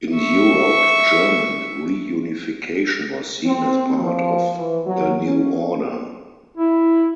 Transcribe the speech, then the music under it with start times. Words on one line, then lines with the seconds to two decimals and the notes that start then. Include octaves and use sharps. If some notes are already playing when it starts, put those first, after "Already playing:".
In Europe, German reunification was seen as part of the new order.
0.15 E5 C#6
3.46 C4
3.98 F3
4.57 E3
4.86 F#3
5.26 C#4
6.57 E4